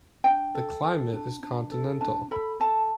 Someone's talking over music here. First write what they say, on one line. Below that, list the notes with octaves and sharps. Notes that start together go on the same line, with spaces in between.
The climate is continental.
D4 G5
A4
A4
D4
D4
A4
D4 A5
A4 B5
A4 A5